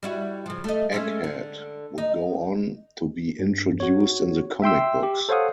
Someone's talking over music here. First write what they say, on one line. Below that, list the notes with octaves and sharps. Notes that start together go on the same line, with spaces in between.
Egghead would go on to be introduced in the comic books.
G3 E4 F#4
C#3 F3
A3 D#5
G#3 A3 C#4
D3
D#4
G2
F#4 C#5
E5 G5 C6 E6
G4
A4 C5 C#5 F5 F#5 D#6